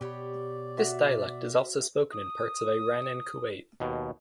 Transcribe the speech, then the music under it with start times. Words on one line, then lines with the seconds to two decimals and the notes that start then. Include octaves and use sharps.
This dialect is also spoken in parts of Iran and Kuwait.
0.01 B2 G4 C#5 D5 B5
0.78 F#4 E5
2.12 D#6
3.80 D#2 B2